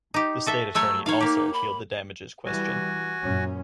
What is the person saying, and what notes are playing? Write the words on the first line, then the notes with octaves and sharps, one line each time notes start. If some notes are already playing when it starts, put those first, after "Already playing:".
The state attorney also appealed the damages question.
D#4 G4
F#4 A4 E5
F#3 A3 C#5 E6
D#4 C#5 F5
A#3 G4
B5
E3 G3 F#4 G#5
F#2 A#2 C#4